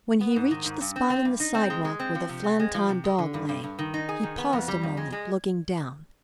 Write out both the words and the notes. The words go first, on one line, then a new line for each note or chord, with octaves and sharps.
When he reached the spot in the sidewalk where the Flanton Dog lay, he paused a moment looking down.
B3
G#2
D#3
G#2
G2
C4
C4
G2
D#4
C4
G#3
G#3
C4
F3
C3
C4
G#3
F3
C3
G#3
D3
G2
G2
G2
D#3
D#4
G#4
D#3
B3
F2
G3
F2
G#3
G#3